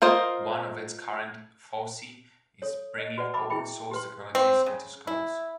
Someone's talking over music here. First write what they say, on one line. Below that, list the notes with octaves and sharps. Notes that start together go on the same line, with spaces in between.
One of its current foci is bringing Open Source technologies into schools.
F4 A#4 C5 D#5
A4 C#5
D#5
F#4 B4 D5 F#5
A#4 E5 A5 B5 D6
E4 G#4 E5 G5 B5
G4 B4 C6
C4
C#3
E4